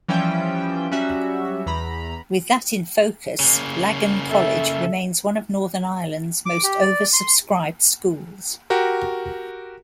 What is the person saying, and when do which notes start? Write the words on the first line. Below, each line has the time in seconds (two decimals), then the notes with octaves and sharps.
With that in focus, Lagan College remains one of Northern Ireland's most oversubscribed schools.
0.08 E3 F3 G3 C#4 E5 G5
0.91 F#3 G3 C#4 F#4 E5
1.66 E2 A#5 B5
3.40 C#3 A#3
4.28 A4 E5
6.46 D6
6.64 G4
6.81 D5
7.13 C6
8.70 F#4 G4 A#4